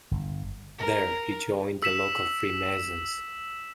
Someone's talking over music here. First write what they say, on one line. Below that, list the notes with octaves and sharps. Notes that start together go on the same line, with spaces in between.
There, he joined the local Freemasons.
G1
A#4
E6 B6 E7